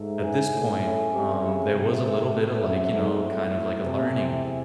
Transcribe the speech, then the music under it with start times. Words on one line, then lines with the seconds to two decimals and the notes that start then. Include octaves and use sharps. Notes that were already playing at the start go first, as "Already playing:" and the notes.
At this point, um, there was a little bit of, like, you know, kind of like, a learning
Already playing: G#2 A3
0.22 C#4 G#4
0.52 A2 A3
0.82 A2 C#4 G#4
1.12 C3 A3
1.42 C#3 C4 F#4 C#5
1.72 C3 A3
2.03 C4 F#4 C#5
2.32 A2 A3
2.63 F#2 C4 F#4 C#5
2.93 G#2 A3
3.24 A2 C4 F#4 C#5
3.54 A2 E4
3.84 C3 G#4 C5 E5
4.14 E4
4.44 G#4 C5 E5